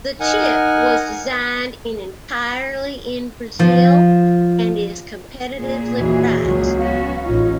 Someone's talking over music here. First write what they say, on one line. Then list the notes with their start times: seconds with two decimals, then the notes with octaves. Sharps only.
The chip was designed in entirely in Brazil and is competitively priced.
0.20 D#4 A#4 F#5 G#5
3.59 F3
5.55 A#2 G#4
5.98 D#2 E3 F#4
6.42 C#2 F#3
6.78 B3 C#4 F#4 F5
7.24 A1 C#4 D#4 F4